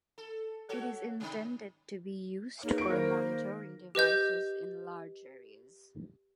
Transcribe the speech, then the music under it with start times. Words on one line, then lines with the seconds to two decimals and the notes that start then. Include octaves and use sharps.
It is intended to be used for monitoring devices in large areas.
0.18 A4
0.69 F#4 A4 C#5
1.20 C3 D#3 D#4
2.63 A#3 D#4 G#4 B4 C#5
2.78 C#6 D7
2.90 D#3 A#4 C5 F5 B5
3.95 G4 B4 D#5 G6